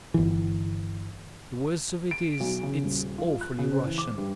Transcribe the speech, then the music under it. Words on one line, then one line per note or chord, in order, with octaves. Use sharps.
The worst of it is it's awfully Russian.
G1 E3
D7
B1
C#3
D#1
F4
F#6
C#3
C5
E3
D6
G2